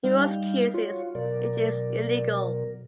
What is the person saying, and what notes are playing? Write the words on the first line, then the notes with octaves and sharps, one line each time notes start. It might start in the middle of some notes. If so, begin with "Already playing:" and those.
In most cases, it is illegal.
G3 D#4 F5 G5
F4 F#4 C#5
B2 F#3 A#4 D5